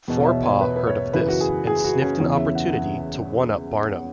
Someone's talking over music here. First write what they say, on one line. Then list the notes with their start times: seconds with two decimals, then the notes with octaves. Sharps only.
Forepaugh heard of this and sniffed an opportunity to one-up Barnum.
0.08 E2 B2
0.20 C#5
0.25 E5
0.43 C#5
0.61 B4
0.76 B4
0.87 C#5
1.13 F#2 C#3 E3 B4
1.28 F#4
1.41 G#4
1.67 G#4
1.84 F#4
2.02 C#4
2.20 E2 C#3 E3 C#5
2.37 E5
2.55 F#5
2.73 F#5